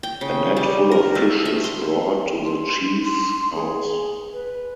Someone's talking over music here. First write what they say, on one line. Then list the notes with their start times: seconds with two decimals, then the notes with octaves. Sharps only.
A net full of fish is brought to the chief's house.
0.03 G5
0.21 C#3
0.57 G3
0.92 A#4
1.15 A3
1.45 E5
1.64 C6
2.45 C6
3.02 C6
3.55 G#4
4.34 B4